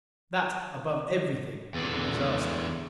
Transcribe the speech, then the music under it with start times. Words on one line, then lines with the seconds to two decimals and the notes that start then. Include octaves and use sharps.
That above everything, would be disaster.
1.74 E2 D3